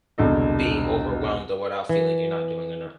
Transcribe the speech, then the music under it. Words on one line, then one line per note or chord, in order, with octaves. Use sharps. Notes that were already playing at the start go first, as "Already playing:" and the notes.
being overwhelmed or without feeling, like, you're not doing enough.
E1 C2 D3 A4 D#5
E3